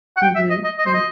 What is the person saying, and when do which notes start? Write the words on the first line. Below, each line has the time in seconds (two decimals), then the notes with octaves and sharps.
Mhm, mhm.
0.17 F#5
0.22 G5
0.35 E5
0.50 D#5
0.64 D#5
0.78 D#5
0.86 C5
0.94 D#5